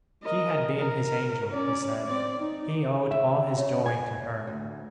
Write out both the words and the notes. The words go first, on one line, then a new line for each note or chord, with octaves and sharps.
She had been his angel, he said; he owed all his joy to her.
A#4 D#5
A#4
C#4 D5
C4 D5
D#4
E5
C#3
G#5
D2